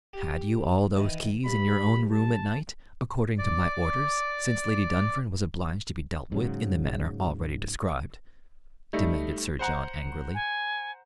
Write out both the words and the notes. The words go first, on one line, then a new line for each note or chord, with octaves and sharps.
"Had you all those keys in your own room at night, according to my orders since Lady Dunfern was obliged to be dealt with in the manner already described?" demanded Sir John angrily.
G4
D#3 E3
G2 B5
A5
D5 D6
G#2 C#3 F#3
G3 A3 D#4
C5 F#5 A#5
G#5